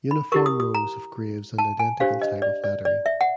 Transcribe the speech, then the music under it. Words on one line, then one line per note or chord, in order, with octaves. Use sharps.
Uniform rows of graves and identical type of lettering.
B5
E4 G4 A#4 C#6
D#6
D#6
A#5
A5
G#5
D4 G4 C5 F5
D#5
D5
D5
D5
E5
F#5